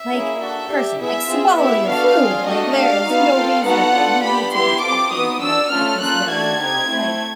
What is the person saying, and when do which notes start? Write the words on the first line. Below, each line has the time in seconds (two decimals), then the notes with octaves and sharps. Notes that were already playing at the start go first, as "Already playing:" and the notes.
like, person, like, "Swallow your food." Like, there is no reason that you need to be talking right at this very moment, like,
Already playing: E5
0.11 A#3 C#4 E4 G#4
0.39 D4 F#4 A4 E5
0.69 D4 G4
0.99 B3 E4 G#4 E5
1.28 C4 F4 G#4
1.58 B3 E4 G4 E5
1.87 B3 D4 F#4 A4 F5
2.17 C4 F4 G#4
2.46 A3 D4 F#4 A4 D#5
2.76 D4 G4 F5
3.06 B3 D#4 F#4
3.35 C4 F4 A4
3.64 B3 D#4 F#4 A4 F#5
3.94 D4 F4 A4
4.24 B3 D4 G4 B5
4.53 B3 E4 G4 C6
4.82 C4 F4 A4 D6
5.12 B3 D#4 F#4 D#6
5.42 D4 F#4 A4 E6
5.71 A3 C#4 F4 A4 F6
6.01 A#3 C#4 F4 A4 F#6
6.31 A3 D4 F#4 A4 G#6
6.60 C4 D#4 G4
6.89 A3 C4 E4